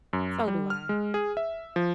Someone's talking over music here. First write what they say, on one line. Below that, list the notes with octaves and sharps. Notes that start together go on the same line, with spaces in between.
So do I.
F#2
G3
F6
G#3
G#4
E5
F3